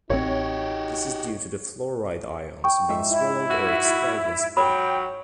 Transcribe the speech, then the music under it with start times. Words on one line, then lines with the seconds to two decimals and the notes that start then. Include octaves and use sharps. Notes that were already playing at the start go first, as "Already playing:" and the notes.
This is due to the fluoride ions being swallowed or expelled when spitting.
0.10 A1 C4 D#4 F#4 G4 C#5
2.64 G5 C#6
2.89 G#2 F4 E5
3.09 E4
3.50 F#4
4.57 F#3 C#5 G5 B5